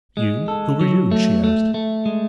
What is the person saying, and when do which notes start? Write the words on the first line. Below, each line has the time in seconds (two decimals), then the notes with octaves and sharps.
'You--who are you?' she asked.
0.17 G#3
0.48 A4
0.81 F#3
1.11 A3
1.44 A3
1.74 A3
2.06 G#3